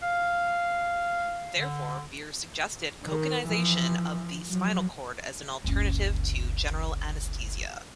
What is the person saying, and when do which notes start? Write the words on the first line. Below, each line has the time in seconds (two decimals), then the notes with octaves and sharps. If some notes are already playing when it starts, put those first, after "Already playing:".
Therefore, Bier suggested "cocainization" of the spinal cord as an alternative to general anesthesia.
0.02 F5
1.58 D3
3.03 D#3
3.47 E3 F3
4.48 F3 F#3
5.64 F#1 C#2